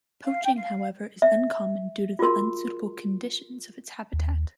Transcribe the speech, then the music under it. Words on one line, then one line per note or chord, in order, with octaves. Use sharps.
Poaching, however, is uncommon due to the unsuitable conditions of its habitat.
F5
G5
F5
E5
F4 F#4 G#4 A#4 C6
D#2